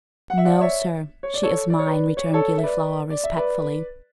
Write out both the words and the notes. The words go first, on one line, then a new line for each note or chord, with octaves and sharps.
"No, sir, she is mine," returned Gilliflower, respectfully.
F#5
E5
D5 F#5
D5
C#5 E5
C#5
D5
A4 C#5
D5
C#5
B4 D5
C#5
D5
A4 C#5
E5
B4 D5
D5
E5
B4 D5